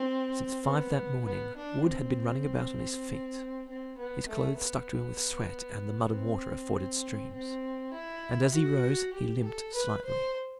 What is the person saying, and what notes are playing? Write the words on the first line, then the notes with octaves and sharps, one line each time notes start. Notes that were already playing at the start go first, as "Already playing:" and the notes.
Since five that morning Wood had been running about on his feet, his clothes stuck to him with sweat and the mud and water of forded streams, and as he rose he limped slightly.
Already playing: C4
B3
B3
D4
C4
C4
B3
A3
B3
C4
C4
E4
F#4
G4
A4
B4
C5